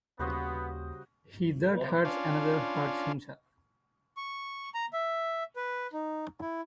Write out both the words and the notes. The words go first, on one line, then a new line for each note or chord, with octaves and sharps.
He that hurts another, hurts himself.
D#2 C#3 G3 B3 F#4 C5 D#5
C#4 D4 F4
C#6
A#5
E5
B4
D#4
E4